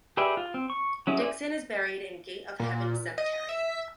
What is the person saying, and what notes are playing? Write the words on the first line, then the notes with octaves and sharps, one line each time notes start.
Dixon is buried in Gate of Heaven Cemetery.
G4 G#4 B4 D5 E5
F4
C4
C#6
F#3 C#4 E4 G#4
C5 D5 E5 G#5
A#2
D#5
E5